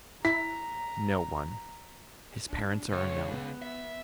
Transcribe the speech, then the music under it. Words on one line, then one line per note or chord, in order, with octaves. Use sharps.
"No one; his parents are unknown."
E4 A#5 B6
D4
C#2 C#5
B3
E5